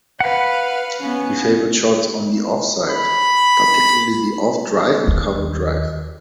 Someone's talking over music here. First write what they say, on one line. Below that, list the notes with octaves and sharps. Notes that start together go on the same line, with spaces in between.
He favoured shots on the off side, particularly the off drive and cover drive.
B4 F5 F#5 B5
B3 C#4
B5
D#2